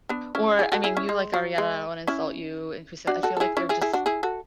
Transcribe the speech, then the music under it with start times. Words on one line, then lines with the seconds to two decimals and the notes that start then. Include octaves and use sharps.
or, I mean, you like Ariana, I don't wanna insult you and Christina, I feel, like, they're just
0.09 B3 D4
0.35 C#4 E4
0.59 E4 G#4
0.72 F#4 A4
0.84 E4 G#4
0.97 C#4 E4
1.09 G#3
1.34 F#3
1.58 G#3
2.07 C#4 E4
3.07 D4 F#4
3.23 F#4 A4
3.37 A4
3.40 E4 G#4
3.57 C#4 E4
3.69 E4 G#4
3.81 E4 G#4
3.93 D4 F#4
4.06 E4 G#4
4.23 F#4 A4